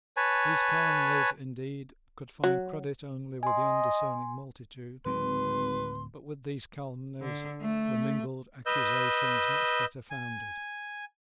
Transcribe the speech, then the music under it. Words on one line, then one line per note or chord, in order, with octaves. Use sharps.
These calumnies, indeed, could find credit only with the undiscerning multitude; but with these calumnies were mingled accusations much better founded.
B4 C#5 G#5 A5
F#3
D#5 G#5 C6
D1 G#1 F#3 C4 B4 C6
D3
A3
B4 D#5 E6 G6
G#5